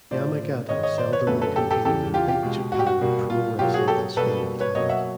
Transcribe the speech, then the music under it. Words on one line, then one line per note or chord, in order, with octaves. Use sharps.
Yamagata seldomly competed in Big Japan Pro Wrestling as female talent.
A2 F3 A3 C5 D5
G#2 D#3 G#3 C#5 D#5
C#5 D#5
C5 D5
B4 C#5
F#2 D3 F#3 A3 A4 B4
A4 B4
G4 A4
G4 A4
E2 C#3 E3 G4 A4
F4 G4
F4 G4
B2 G#3
F#4
G4
F#4
B2 G3 A#3
F4
B2 F#3 A#3 F4 G4
F#4 G#4
G4 A4
B2 G3 A#3 A4 B4
B4 C#5
B2 F#3 A#3 C#5 D#5
E5 F#5